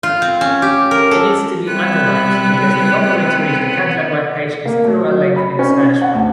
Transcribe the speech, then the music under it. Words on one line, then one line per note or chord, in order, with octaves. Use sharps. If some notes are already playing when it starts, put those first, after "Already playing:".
It needs to be underlined, because the only way to reach the Catalan webpage is through a link in the Spanish one.
F4
C4
C#4
G4
A#4
A4
G3 B3 C4 E4 F#6
A#3
A3
F#3
B5
C#4
C#4
F#5
D2